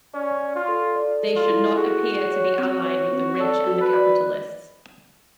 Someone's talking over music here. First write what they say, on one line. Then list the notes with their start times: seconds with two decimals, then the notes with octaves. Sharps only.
They should not appear "to be allied with the rich and the capitalists".
0.14 C#4 D5
0.41 D5
0.55 F4
0.68 A4
0.96 D5
1.23 A4
1.37 F4
1.50 E4
1.77 F#4 G#4
2.04 G#4
2.32 C#5
2.58 C4 F#4
2.86 C#5
3.13 C4
3.40 A4 D5
3.67 F#4
3.81 B4
3.94 D5